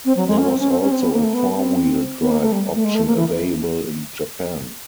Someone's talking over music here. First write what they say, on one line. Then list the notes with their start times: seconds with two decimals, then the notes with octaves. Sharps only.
There was also a four-wheel-drive option available in Japan.
0.05 C4
0.17 F#3
0.28 G#3
0.38 C#4
0.49 C4
0.60 C#4
0.70 C4
0.81 C#4
0.92 C4
1.02 B3
1.13 A#3
1.23 A3
1.34 B3
1.56 C4
2.20 B3
2.31 A#3
2.42 A3
2.52 G3
2.74 A3
2.85 G#3
2.95 A3
3.06 A#3
3.16 E3